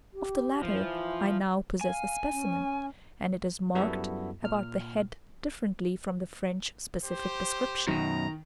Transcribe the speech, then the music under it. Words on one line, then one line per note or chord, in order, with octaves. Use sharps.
Of the latter I now possess a specimen, and it is marked about the head differently from the French specific description.
G4
E3 F3
F5 G#5
C#4
F#2 G3 B3 E4 F#4 A4
A#2 F6
G4 C5
F#2 B2 D#3 A#5